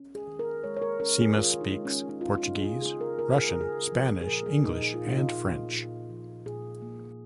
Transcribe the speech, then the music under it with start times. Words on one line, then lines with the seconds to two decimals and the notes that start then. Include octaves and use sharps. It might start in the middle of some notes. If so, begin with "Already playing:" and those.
Simas speaks Portuguese, Russian, Spanish, English and French.
Already playing: C#4
0.15 G#4
0.27 D#3
0.39 A#4
0.64 G#3 C#5
0.76 C#5
0.82 A#4
1.00 C#4 A#4
1.18 G#4
1.37 D#3 F4
1.61 D#4
1.72 G#3
1.85 C#4
2.09 C#4 D#4
2.21 F4
2.28 D#4
2.38 F4
2.46 C#4 D#4
2.58 G#4
2.64 F4
2.82 C#3 G#4
3.01 A#4
3.19 C#3 A#4
3.36 G#4
3.49 A#4
3.54 C#3
3.61 G#4
3.92 F3
4.21 G#4
4.27 A#2 A#4
4.46 G#4
4.64 A#2 D#4
4.82 G#4
4.94 F4
5.00 A#2
5.07 D#4
5.18 F4
5.37 A#2
5.73 A#2
6.10 F3
6.46 A#2 G#4
6.82 A#3